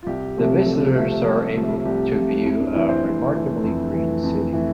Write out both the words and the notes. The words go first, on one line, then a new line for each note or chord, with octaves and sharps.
The visitors are able to view a remarkably green city.
F4
C2 G4
C3 F3 A3
C2 A4
C3 F3 A3
C2
C3 F3 A3
C2 G4
C3 F3 A3
F2 E4
D4
E3 A3 E4
C5
F2 C5
E3 A3
F2
E3 A3
F2
E3 A3